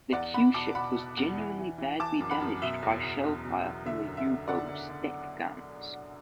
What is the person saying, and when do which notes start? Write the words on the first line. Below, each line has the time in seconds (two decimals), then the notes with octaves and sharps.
The Q-ship was genuinely badly damaged by shellfire from the U-boat's deck guns.
0.13 E2 D5 F#5
0.34 E2 F#5 B5
0.54 B2 A5 D6
0.75 B2 F#5 B5
0.96 B2
1.17 E2
1.37 E3
1.58 E3
1.78 E3
2.00 E3 A5 D6
2.20 F#2
2.31 F#5 B5
2.41 F#2
2.62 B2 E5
2.83 E2
3.03 E2
3.24 E2
3.45 B2
3.66 E2
3.86 D3 E5
4.07 F#2
4.17 E5
4.27 D3
4.48 D3 D5 F#5
4.69 D3
4.89 D3